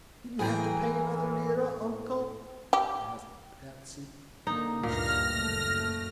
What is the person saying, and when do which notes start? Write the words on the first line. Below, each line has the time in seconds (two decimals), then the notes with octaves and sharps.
"Did you have to pay another lira, Uncle?" asked Patsy, anxiously.
0.39 A2 E3 G#4 G5 A#5
2.73 G4
4.47 D3 A#3 D#4
4.83 D2 G2 A#2 F6 A#6
5.31 F#1 A3